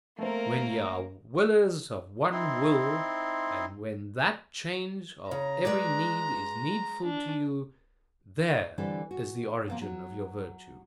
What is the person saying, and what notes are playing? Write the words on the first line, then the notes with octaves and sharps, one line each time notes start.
When ye are willers of one will, and when that change of every need is needful to you: there is the origin of your virtue.
A3 A#3 C4 A#4
C4 D#4 E4 C6
C#3 A#5
G#3 B4 D5
D4
D3 E3 G3 C4 D4 A4
F#4
B2 D3 F3 A#3 C4
F#3